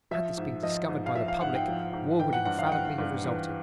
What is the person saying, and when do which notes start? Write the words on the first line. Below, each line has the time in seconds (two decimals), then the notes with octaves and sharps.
Had this been discovered by the public, war would infallibly have resulted.
0.11 F3 E5
0.37 G#2
0.63 F3 D#5
0.89 G#2
1.06 F5
1.15 F3 E5
1.28 F5
1.41 G#2 F#5
1.55 G5
1.68 F3
1.93 G#2
2.20 E3 G5
2.33 F#5
2.45 G2 F#5
2.59 F5
2.66 G5
2.72 E3 F#5
2.98 G2
3.24 E3